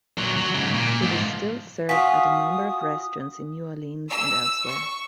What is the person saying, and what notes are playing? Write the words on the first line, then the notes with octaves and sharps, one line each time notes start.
It is still served at a number of restaurants in New Orleans and elsewhere.
A#2 F#3
F#3
G#2 C#3
A#2
G#2 F3
F4 F#4 F5 G#5 D#6 B6
E6
C#6